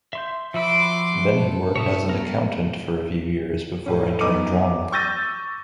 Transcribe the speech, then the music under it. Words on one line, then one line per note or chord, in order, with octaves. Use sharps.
Then he worked as an accountant for few years before entering drama.
E5 C6 G6
F3 F#4 E5 B5 C6 D6 E6
A4
A2 C3 C#5 E5 D#6
A3 B3 A#4
A2 C#4
F#2 B3 D#4 D6 D#7
C#6 E6 G6 A6 A#6 D#7